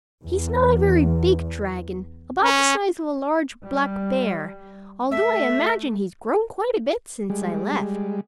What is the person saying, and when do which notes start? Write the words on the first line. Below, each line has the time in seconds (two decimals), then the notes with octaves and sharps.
He's not a very big dragon, about the size of a large black bear, although I imagine he's grown quite a bit since I left.
0.23 E2
2.43 C#4
3.64 G3
5.11 A3 E5
7.30 G3 G#3